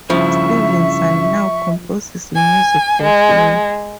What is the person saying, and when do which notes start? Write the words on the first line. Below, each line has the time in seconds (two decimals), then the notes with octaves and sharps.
Stevenson now composes music for film.
0.10 G2 C#3 F3 E4 E5 C#6
2.35 G#5
3.02 G#3